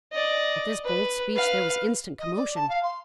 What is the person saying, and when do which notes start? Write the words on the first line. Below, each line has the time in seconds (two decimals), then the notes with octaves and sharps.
At this bold speech there was instant commotion.
0.13 D5 D#5
0.85 B4
1.34 B4 F5
2.19 D#5
2.36 D5
2.56 A5
2.69 F5
2.83 C6